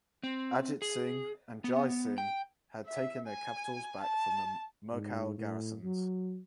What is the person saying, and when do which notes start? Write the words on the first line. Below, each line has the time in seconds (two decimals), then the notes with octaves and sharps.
Ajit Singh and Jai Singh had taken their capitals back from the Mughal Garrisons.
0.23 C4
0.82 G#4
1.64 B3
2.18 G5
2.86 E5
3.26 G#5
4.01 A5
4.92 G#2
5.38 A2
5.84 F#3